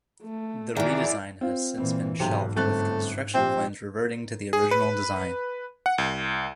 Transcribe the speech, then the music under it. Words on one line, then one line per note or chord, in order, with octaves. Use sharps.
The redesign has since been shelved with construction plans reverting to the original design.
A3
D#3 E3 E4 G#4 D5
C4 F4
A#2 E3 C4
B1 G#2 C3
G1 A3 C4 F#6
A#1 C4 G4
G#4
B4
F#5
C2